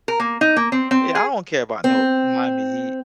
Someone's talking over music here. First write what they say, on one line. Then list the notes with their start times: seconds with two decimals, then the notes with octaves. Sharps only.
Yeah, I don't care about no Miami Heat.
0.08 A#4
0.20 A#3
0.41 D#4
0.56 A#3
0.72 C4
0.91 C4
1.15 G#4
1.84 C4